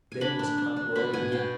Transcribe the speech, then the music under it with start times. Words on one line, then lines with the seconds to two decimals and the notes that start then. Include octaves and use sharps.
Then was an uproar indeed.
0.12 G#5
0.21 D4 B5
0.39 D4
0.58 D4
0.77 D4
0.96 B2 B5
1.14 B2 G#5
1.32 B2 G5